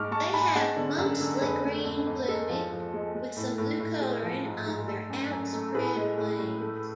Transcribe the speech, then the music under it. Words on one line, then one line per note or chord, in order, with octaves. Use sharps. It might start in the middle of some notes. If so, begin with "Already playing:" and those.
They have mostly green plumage with some blue colouring on their outspread wings.
Already playing: G#2 G#3 C#6 D6 F6
G#3 A5 C#6
G#2 G#5 B5
G#3 F#5 A5
D3
F#2
D3
F2 G#4 B4
A3
F2
F2
G#3 A4
F3
F3
G#3
G#3
A2
A2
A2
G#3 G#4
F3
G#2
G#2
A3 A4
F#2
F#2
A3
A2 G#4 B4
G#3
A2
A2
A3